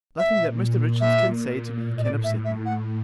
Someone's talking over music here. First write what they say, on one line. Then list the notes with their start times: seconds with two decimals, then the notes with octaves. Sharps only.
Nothing that Mr Richards can say to me can upset me.'
0.18 A#2 E5
1.01 E5
1.83 A2
1.98 D#5
2.04 D5
2.24 E5
2.45 E5
2.65 F#5